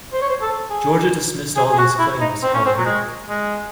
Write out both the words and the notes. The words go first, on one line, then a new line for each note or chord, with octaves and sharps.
Georgia dismissed all these claims, however.
C5
C#5
C5
A4
G#4
G#4
G#4
F#4
E4
D#4
C4
C#4
C4
F#3
G#3
G#3